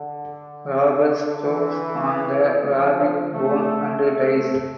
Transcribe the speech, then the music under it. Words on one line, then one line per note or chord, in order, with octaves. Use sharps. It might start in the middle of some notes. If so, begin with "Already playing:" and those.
Roberts chokes on the rabbit bone and dies.
Already playing: D3
D3
E3
F3
A3
A3